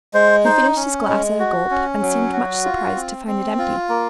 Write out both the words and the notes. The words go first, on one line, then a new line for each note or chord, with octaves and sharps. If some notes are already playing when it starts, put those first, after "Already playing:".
He finished his glass at a gulp, and seemed much surprised to find it empty.
G#3 C5
D#4 C5
C#4
G#3
F#4
C#4
F#3
F#4
F4
C4
C4
F4
A#3